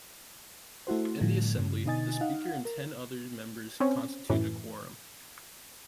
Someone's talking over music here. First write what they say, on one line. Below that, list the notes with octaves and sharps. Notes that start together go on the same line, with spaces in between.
In the Assembly, the Speaker and ten other members constitute a quorum.
A3 E4 F#4 C5
A2 D3 F3 G3 A3
G2 C#3
B2 D3 D#4 D#5 G#5 A6
D#4 F5 F#5
A#4
C4 C#4
F#2 A2 E3